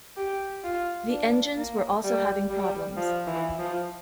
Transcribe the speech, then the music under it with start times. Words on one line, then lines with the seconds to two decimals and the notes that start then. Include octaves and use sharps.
The engines were also having problems.
0.17 G4
0.64 F4
1.10 D4
1.57 A#3
2.04 G3
2.50 G3
2.97 F3
3.27 E3
3.59 F3